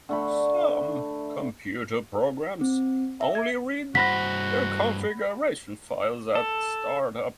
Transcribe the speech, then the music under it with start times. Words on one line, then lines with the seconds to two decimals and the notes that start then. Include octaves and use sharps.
Some computer programs only read their configuration files at startup.
0.09 D3 A3 B5
2.61 C4
3.21 E5
3.35 G#6
3.95 G2 F#4 C5 F#5 B5 A#6 B6
6.35 A4